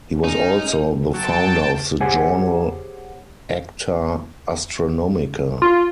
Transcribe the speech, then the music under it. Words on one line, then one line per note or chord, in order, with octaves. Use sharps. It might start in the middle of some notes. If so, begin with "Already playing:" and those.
He was also the founder of the journal Acta Astronomica.
C#4 D#4
F#3 G5 A5
G4 G#4 C5 C#5 F#5 G#5
F4